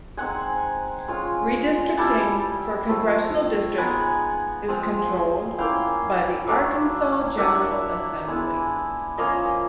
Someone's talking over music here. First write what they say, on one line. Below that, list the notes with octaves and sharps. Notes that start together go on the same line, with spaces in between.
Redistricting for congressional districts is controlled by the Arkansas General Assembly.
G#3 C4 D#4 F#5 G#5
G#3 C#4 F4
G3 B3 E4 G5 A5
F3 A3 C4
G#3 B3 D#4 F#5 G#5
F3 G#3 C4 F4
A#3 C#4 E4 F5 G5
F#3 A3 D4
F#3 A#3 D4 E5 F#5
G#3 B3 E4
F3 A#3 C#4 D#5 F5